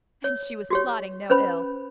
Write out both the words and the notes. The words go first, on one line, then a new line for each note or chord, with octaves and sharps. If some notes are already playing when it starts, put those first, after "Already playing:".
And she was plotting no ill.
C#5
F#4 G4 C#5
C#4 B4 C5 B5